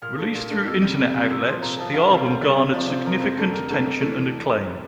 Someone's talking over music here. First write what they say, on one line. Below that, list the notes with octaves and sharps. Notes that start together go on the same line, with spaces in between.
Released through internet outlets, the album garnered significant attention and acclaim.
A#2 F6
A3 D4
A#2
A3 D4
F2 E6
C3 G3
F2
C3 G3
A#2 E6
F3 C4 C6
A#2 A#5
F3 C4 A5
D2 F5
C3 G3 A#3
D2 C5
C3 G3 A#3 D5
C3
F3 C4 D5
C3 C5
F3 C4 A#4
F2 C5
D3 A3 D4 A#4
F2 A#4
D3 A3 D4
F2
E3 A3 D4